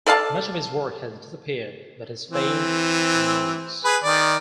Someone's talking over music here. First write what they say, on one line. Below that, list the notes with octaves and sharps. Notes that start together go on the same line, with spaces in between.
Much of his work has disappeared, but his fame remains.
A4 D5 F5 A5
E3 C4
G#4 B4
D#3 D5